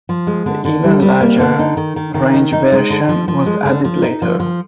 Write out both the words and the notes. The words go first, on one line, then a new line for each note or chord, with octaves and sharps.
The even larger Range version was added later.
F3
G#3
D3
D3
G3
G3
A#3
D3
D#4
D#3
D#3
D#3
D#4
D#4
G#3
D3
F3
F3
G#3
D3
F3
D#4
F3
F3